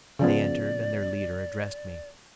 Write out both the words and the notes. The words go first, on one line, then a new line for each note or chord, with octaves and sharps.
They entered, and their leader addressed me.
C#3 F3 B3 D5